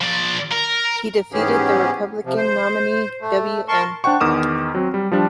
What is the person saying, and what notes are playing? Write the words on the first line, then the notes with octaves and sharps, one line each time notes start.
He defeated the Republican nominee Wm.
F3 D5
A#4
G#2 E3 B3 C#4 G4 G#4
C3 F3
C5
A3
A#4 A5 C6 C#6
D4 C5 F#5 G5 C#6
E2 D#3 D6 D#6 F6 E7
F#3 C4
G3
F3 G3 D4